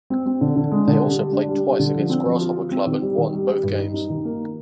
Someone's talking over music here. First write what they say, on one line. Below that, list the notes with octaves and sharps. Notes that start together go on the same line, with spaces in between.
They also played twice against Grasshopper Club and won both games.
C4
C4
D3
D3
G#3
D3
G3
G3
D4
G3
G3
D3
F3
C4
F3
F4
F4
C4
D#3
G3
D#3
G3
G3
G2
D#4
D#4
D#3
A#3